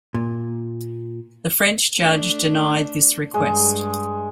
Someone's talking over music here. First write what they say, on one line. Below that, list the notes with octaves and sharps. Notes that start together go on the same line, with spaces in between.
The French judge denied this request.
A#2
A3 D4
G2 G#3